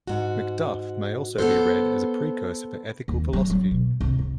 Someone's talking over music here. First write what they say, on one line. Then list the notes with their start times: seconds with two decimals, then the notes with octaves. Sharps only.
Macduff may also be read as a precursor for ethical philosophy.
0.07 G#2 F#4
1.38 B3 A4 C5
3.08 D#2
3.33 F#3
3.50 F#3
3.71 B2
4.01 C2
4.19 C2